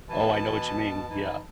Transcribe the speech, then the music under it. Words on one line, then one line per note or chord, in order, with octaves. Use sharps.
Oh, I know what you mean. Yeah,
B2 E3 A5
E3 D#4